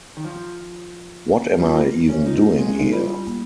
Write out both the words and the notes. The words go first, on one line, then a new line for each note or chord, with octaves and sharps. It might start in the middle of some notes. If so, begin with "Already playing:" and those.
What am I even doing here?
D#3
F3
F3
G3 F4
A#3
C#4
D#4 F4
A#3
G#3 C4
C#4
D#4
G3 F4
A#3